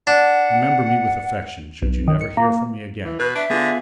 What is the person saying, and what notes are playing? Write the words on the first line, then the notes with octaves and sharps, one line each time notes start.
Remember me with affection, should you never hear from me again.
D4 F#5
B1
D#3
C#7
A#3
E3
B2 B4
D4 E5
D3 B3 F4 G#4